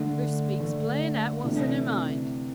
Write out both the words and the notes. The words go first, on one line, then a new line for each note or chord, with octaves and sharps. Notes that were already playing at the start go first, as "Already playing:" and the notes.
'Hoo speaks plain out what's in her mind.
Already playing: D3 A3 D4
D3 A3 D4
C3 E3 A3 D4